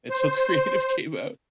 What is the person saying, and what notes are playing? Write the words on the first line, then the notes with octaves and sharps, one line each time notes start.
until Creative came out.
C5